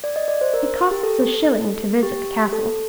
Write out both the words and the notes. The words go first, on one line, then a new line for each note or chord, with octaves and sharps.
It costs a shilling to visit the castle.
D5
D#5
D5
C5
A#4
G4
A4
G4
A4